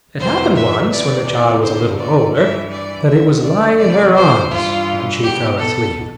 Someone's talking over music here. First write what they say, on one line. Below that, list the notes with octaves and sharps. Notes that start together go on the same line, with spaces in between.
It happened once when the child was a little older, that it was lying in her arms and she fell asleep.
F2 C3 E3 C5
E5
E2 C3 E3 D5
D5
E2 D3 C5
D5
G2 E3 E5
D5
D2 D3 E5
D5
E2 C3 E3 D5
C5
G2 E3 F4
E2 B2 G4
A4